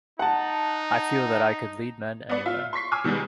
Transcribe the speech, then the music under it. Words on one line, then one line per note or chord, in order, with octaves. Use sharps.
I feel that I could lead men anywhere.
D#4 F#5 A5
B3 D5 C#7
F4 E5
C6 C#6 B6 C7
G#5 D6 E6 F6
B2 D#3 G3 G#3 B3